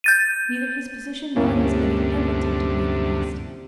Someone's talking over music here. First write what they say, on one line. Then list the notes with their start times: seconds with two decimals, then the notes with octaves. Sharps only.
Neither his position nor his money ever tempted me in the least.
0.04 G6 A6 D#7
1.36 D2 G2 C3 A#3 C#4 E4